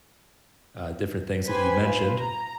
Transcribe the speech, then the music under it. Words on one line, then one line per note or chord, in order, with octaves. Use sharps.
uh, different things that you mentioned,
G4 B4 C5 G#5 B6
F4 B4
A#5